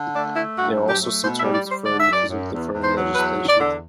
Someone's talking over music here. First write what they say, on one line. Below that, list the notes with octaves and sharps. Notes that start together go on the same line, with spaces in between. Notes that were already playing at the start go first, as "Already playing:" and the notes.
There are also some terms differing because of differing legislation.
Already playing: D3
A3 D4
A3 E4
G2 F#4
F#3
G4
A3
B2 C5
E5
G3
D5
G3 C5
D3 D5
E5
F#2
D5
F#2
E2
E2
C5
F#3
E2 B4
E2
D5
D3